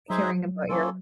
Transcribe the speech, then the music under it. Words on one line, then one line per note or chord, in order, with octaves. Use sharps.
hearing about your
F#3 D#4 G#4 C5 E5
A#3 C#4 F4 A4